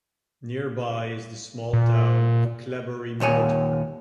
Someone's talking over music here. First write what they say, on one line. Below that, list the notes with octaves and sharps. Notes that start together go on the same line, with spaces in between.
Nearby is the small town of Cleobury Mortimer.
A#2
D#2 A#2 C#5 G#5